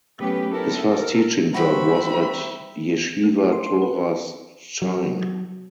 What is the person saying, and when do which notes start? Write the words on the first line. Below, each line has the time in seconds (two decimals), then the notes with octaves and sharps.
His first teaching job was at Yeshiva Toras Chaim.
0.19 F#3 A3 B3 C#4 G4 B4
0.50 B3 C#4 E4 A4 A#4
0.88 A4 A#4
1.54 G3 C4 F#4 E5 B5
3.23 A3
3.38 E4
3.53 C6
3.67 C6
3.82 B4
4.82 F#3